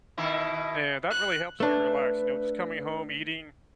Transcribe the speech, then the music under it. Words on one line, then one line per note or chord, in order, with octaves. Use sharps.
And that really helps me relax, you know, just coming home, eating
B2 D#3 E4
F#6
A3 D4 B4